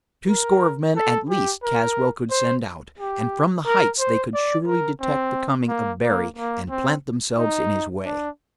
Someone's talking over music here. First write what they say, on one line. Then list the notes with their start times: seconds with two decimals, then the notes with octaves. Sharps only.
Two score of men, at least, Caswell could send out, and from the heights they could surely detect the coming of Barry and plant themselves in his way.
0.28 A#4
0.96 A4
1.29 G4
1.63 A#4
2.31 C5
2.99 G4
3.66 A#4
3.99 C5
4.34 D5
4.67 A#4
5.01 C4
5.68 A#3
6.03 A#3
6.36 A#3
6.70 C4
7.38 D#4
8.06 D4